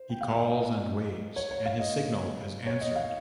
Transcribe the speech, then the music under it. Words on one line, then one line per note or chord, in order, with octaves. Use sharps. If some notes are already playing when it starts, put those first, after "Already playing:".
He calls and waves, and his signal is answered.
Already playing: C5
G5
F5
D#5
D#5
C#5
C#5
F5
D#5
C#5
D#5
F5